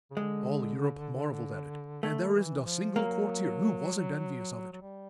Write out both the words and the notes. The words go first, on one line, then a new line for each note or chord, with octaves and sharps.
All Europe marveled at it, and there isn't a single courtier who wasn't envious of it.
C#3
D3 G#3
D#3 A3
D3
D#3
E3
F3
F#3 A#3
F#3
G3